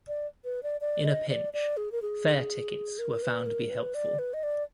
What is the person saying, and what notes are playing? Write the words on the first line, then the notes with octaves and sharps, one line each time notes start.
In a pinch, "fare tickets" were found to be helpful.
D5
B4
D5
D5
D#5
D5
D5
G#4
A#4
G#4
A#4
B4
A#4
B4
D5
B4
D#5
D5